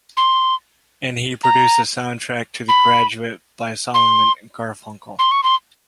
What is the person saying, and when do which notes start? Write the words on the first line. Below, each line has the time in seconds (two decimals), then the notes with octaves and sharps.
And he produced the soundtrack to "The Graduate", by Simon and Garfunkel.
0.17 C6
1.43 A#5
2.68 B5
3.94 C6
5.19 C6
5.31 C#6
5.43 C6